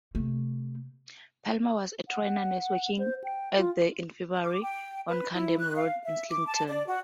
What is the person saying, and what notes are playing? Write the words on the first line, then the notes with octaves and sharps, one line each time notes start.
Palmer was a trained nurse working at The Infirmary on Camden Road, Islington.
C3 A3
F#5
C5
G5
F4
D6
G5
B4
E4
F#6
F5
E5
D6
A5
D5
F#4